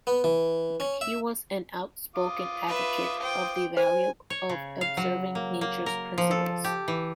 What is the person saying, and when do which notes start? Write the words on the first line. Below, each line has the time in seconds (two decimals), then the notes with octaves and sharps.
He was an outspoken advocate of the value of observing nature's principles.
0.07 B3
0.24 E3
0.80 C#4
1.01 E5
2.16 F4 D6 D#6
2.68 B4 E5
3.19 C5 G5
3.77 C5 G#5
4.30 C#5
4.49 C#3
4.81 F5
4.97 F#3
5.35 A#3
5.61 A#3
5.86 A#4
6.18 F3
6.31 A4
6.64 G4
6.88 E3